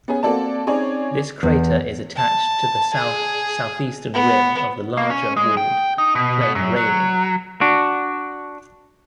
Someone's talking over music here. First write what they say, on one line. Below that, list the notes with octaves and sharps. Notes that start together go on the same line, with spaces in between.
This crater is attached to the south-southeastern rim of the larger walled plain Rayleigh.
B3 C#4 G#4
A#3 C4 F#4 A4 D5 A5
C4 C#4 D#4 G#4 C#5 D5
E2
A5
G#4
B3
A#3
C#4
G#3
G5
D#4
B2
B2
F#2
F#3
D4 F#4